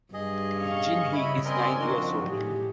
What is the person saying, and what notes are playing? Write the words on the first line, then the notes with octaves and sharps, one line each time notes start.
Jinhee is nine years old.
G2 G#4 D#5
C#4 F5 C#6
C#3 E4 C#5 D#5 B5
C4 A#4 D5 D#5 G#5 C6
D#3 F3 C4 D4 F#4
A2 G4 G#4